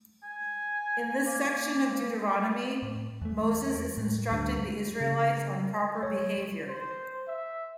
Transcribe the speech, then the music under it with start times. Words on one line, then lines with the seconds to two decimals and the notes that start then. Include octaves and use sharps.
In this section of Deuteronomy Moses is instructing the Israelites on proper behaviour.
0.23 G#5
1.26 A#3
2.82 A2
3.22 E2 A3
3.97 A2
4.31 D2 G2
5.00 C#3
6.03 C#5
6.69 C5
7.28 E5